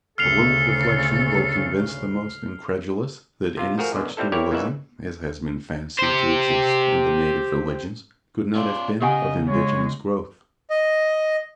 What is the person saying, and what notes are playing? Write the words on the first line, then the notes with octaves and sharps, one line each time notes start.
A little reflection will convince the most incredulous that any such dualism as has been fancied to exist in the native religions, could not have been of indigenous growth.
D2 C#3 A4 F6 C7 F7
C3 F4
F3 A3 F#4 G#4 A#4
F#2 B2 D3
G3 C4 E4 A4
C4 E4 G4 A#4 C#5 D5
A#2 C#3 E3 D#4 E5 F#5
G4 C5
C#4 F4 D5
C#3 G4 D#5 F#5 G#5
G#3 C#5
D#5